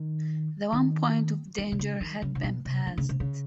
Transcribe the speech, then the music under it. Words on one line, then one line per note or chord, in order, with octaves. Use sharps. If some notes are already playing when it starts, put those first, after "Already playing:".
The one point of danger had been passed.
Already playing: D#3
D#3
D#3
C3
C#3
D#3
C#3
C3
B2
C3
D3
C#3
C3
C#3